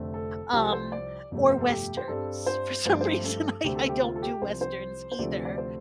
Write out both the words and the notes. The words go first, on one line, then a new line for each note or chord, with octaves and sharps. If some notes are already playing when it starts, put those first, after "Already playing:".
um, or Westerns. For some reason, I I don't do Westerns either,
Already playing: F1 F2 D3 A3 C4
A4
C2 C3 F3 C4 G4
A4
C5
D5
G1 F2 C3 A3
C5
A4
G4
C5
G2 G3 C4 A4
C5
G2 F3 A3 C4 C5
D5
C5
A4
D2 C3 A3 C4 G4
A4
G4
F4
A4
G4
C2 C3 F3 C5
C5
C5
D2 C3 F3 A3 C4 D5
D5
C5